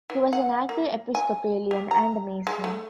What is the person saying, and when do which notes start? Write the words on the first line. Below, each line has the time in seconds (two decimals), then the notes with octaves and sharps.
He was an active Episcopalian and a Mason.
0.10 E3
0.33 F#5
0.69 A#3
1.15 G#5
1.71 G4
1.91 A#5
2.47 G#3
2.64 A3